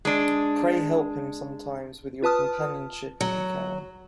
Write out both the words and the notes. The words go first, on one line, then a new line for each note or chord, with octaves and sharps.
Pray help him sometimes with your companionship if you can.
G#3 D4
F4 B4 A5 D#6 F6
F#3